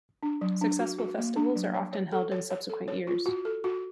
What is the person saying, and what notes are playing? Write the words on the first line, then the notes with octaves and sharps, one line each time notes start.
Successful festivals are often held in subsequent years.
D4
F#3
D4
F#4
F#4
A#3
D4
F#3
C#5
C#5
A4
C#5
C#5
A4
C#5
F4
F#4
A4
F#4